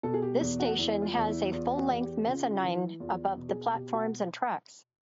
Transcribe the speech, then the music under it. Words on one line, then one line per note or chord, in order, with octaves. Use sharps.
This station has a full length mezzanine above the platforms and tracks.
B2 A4
G#4
G4
E2
F#4
E2 E4
F4
E2
E4
E2 F4
F#4
E2
G4
C#3 F4
F4
E3
E4
E2 F4
B2
G#4
B2 G4
F#4